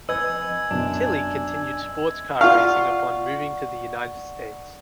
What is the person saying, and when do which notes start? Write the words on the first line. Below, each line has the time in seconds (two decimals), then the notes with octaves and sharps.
Tilley continued sports car racing upon moving to the United States.
0.09 F2 B4 D#5 G#5 E6 G#6
0.71 F#2 B2 D4
2.41 F4 D5 F5 F#5 C#6